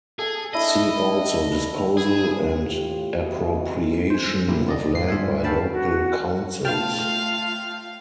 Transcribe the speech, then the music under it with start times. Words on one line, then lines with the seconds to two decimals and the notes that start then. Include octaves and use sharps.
See also Disposal and Appropriation of Land by Local Councils.
0.19 G#4 A4 A5
0.54 D4 E4 D#5
1.97 G#4
2.62 A2 F4 G4
3.15 E2 A#2 E3 F#4 D#5
4.10 C5 G#5
4.48 A#2 D3 A#3 E4 F4 G4
4.69 D5 D#5
4.93 G#2 C7
5.09 G2 F4 D5 E5 F5 G#5
5.44 F#4 A4 F5 G5 A5 B5
5.69 F#4
6.65 A3 F4 F5 G5 A5 F6